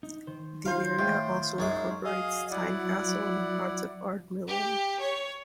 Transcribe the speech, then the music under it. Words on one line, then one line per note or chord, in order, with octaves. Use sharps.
The area also incorporates Tynecastle and parts of Ardmillan.
D#4
D#3 C5
D#3 F4 C5 F5
A2 D#3 F5 G5
F#2 G#3 D#4 F5 D6
F#3 G#4 D#5 F5
E4 D5 F#5
G4
C#5